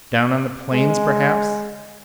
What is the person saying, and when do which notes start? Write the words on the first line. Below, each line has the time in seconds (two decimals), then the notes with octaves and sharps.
Down on the plains, perhaps?
0.73 G#3